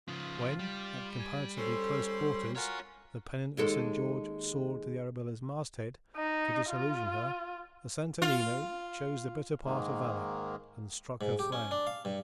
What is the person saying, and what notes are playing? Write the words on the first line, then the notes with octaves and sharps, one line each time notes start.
When at comparatively close quarters the pennon of St. George soared to the Arabella's masthead to disillusion her, the Santo Nino chose the better part of valour, and struck her flag.
C#3 F3 F4
G3
G#5
C#4 A4 C5 C6
F4 F#4 A#4 C#5 G#5
D#2 G#3 A4
D#4
F4
F4
G#2 D#3 G#3 A#3
G#2
G4
C#4
D4
F5
G2